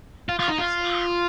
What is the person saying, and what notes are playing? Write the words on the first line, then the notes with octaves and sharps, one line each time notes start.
Double Stout"".
F4
F4
D#4
F4